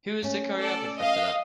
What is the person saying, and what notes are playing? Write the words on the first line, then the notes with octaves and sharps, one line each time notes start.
Who was the choreographer for that?
A3 C#4
A4 D5
D#5 F5